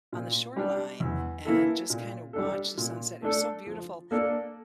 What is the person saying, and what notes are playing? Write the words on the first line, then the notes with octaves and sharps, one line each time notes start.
on the shoreline, and just kind of watch the sunset. It was so beautiful,
A#2
G3 D4
E2
E3 A#3 E4 A4
A#2
G3 D4 A4
A#2
A3 D4 A4
F3
A#3 D4 A4 D5